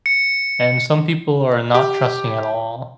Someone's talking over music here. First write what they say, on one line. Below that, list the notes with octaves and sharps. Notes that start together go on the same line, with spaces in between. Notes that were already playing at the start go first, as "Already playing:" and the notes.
and some people are not trusting at all,
C#7
G4